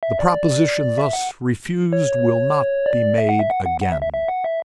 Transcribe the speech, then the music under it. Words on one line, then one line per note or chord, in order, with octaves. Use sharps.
The proposition thus refused will not be made again.
E5
D5
E5
F#5
C#5
D5
E5
F#5
E5
F#5
F#5
F#5
E5
E5
E5
F#5
E5